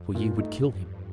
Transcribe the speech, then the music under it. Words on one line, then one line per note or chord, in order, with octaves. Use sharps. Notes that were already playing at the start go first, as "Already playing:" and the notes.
"For ye would kill him."
Already playing: F2
G2 A#2
A3 D#4